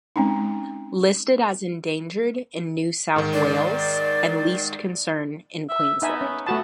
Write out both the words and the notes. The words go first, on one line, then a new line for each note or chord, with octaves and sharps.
Listed as endangered in New South Wales and least concern in Queensland.
G#3 C4 C#4 D#4
G#2 D#3
D5
E5
B3 D#4 E5 G#5
C#4
A3 B3 F#4 A5